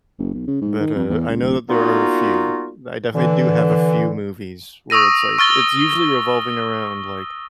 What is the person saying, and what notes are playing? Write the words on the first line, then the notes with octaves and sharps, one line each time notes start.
But, uh, I know that there are a few. I definitely do have a few movies where it's, like it's usually revolving around like
F#1
B1
C#3
G#2
D#3
F2
E2
C#2
D1
G3 A#3 B3 D#4 F4 F#4
D3 E3
C#6 D#6 E6 A#6 D#7
C#6 F6 A6 G7